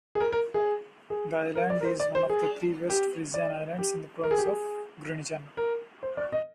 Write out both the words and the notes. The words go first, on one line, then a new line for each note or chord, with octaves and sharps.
The island is one of three West Frisian Islands in the province of Groningen.
G#4
A#4
A#4
G#4
G#4
A#4
D5
A#4
C5
D5
C5
G#4
G4
D5
G4
A#4
G#4
G4
G#4
A#4
C5
D5
D#5